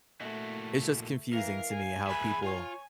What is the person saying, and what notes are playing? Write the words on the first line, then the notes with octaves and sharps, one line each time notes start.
it's just confusing to me how people
A#2 A3 E4 F#4
E3 A#4 F5
G#5
G#4 E5 B5
F4 C#5